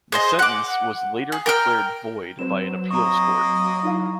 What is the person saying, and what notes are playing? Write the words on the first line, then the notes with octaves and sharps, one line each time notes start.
The sentence was later declared void by an appeals court.
G#4 C5 D#5
F#5 D6
G#4
A#4 G5 F6
F#3 C4 B4 C5 E7
A#3 D#5 A#5 C#6
D#4 E4 F5